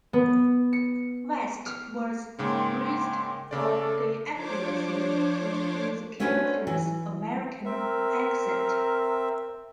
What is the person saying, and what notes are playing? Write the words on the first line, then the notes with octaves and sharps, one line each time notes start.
West was praised for the accuracy of his character's American accent.
B3
C#7
F6
G#2 C#3 A#3 G5 C6 D6
C#3 A4 D5 D6
F3 D4 C5 C#5 D6
A3 C#4 D4 F#4 B4 C5
E3
C4 A#4 E5